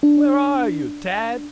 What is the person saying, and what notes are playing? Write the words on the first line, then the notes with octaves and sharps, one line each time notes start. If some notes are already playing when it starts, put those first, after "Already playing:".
"Where are you, Tad?"
D4